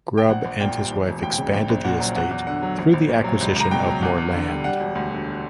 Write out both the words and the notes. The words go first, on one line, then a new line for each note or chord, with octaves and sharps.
Grubbe and his wife expanded the estate through the acquisition of more land.
G5
A#1 F#5
A#1
A#2 G5
G3
E3
E1
D2 G5
G5
C#3
A#1 G5
A#1
A#2 F#5
F#3
E2 F#5
E2
D3 F#5
F#3
A#1
A#1
A#2
F#3
C#2
C#2 A#5
B2 G5
F#3
E2
E2
D3
G3
G3 F#5
E1
D2
D3